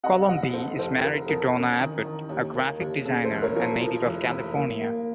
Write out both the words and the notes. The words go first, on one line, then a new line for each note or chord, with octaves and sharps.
Colomby is married to Donna Abbott, a graphic designer and native of California.
C3 D#5 F#5
F1 D#5 F#5
C3 A4 C5
F1 A4 C5
F1 A#4
F2 A#4
C#4
D#3
D#3
D#2
A#3
D#2
C#3 A4
A4 C5
F1
A#4 C#5
F3 A#4
A4 C5
F3
F1
F1
A#3
A#3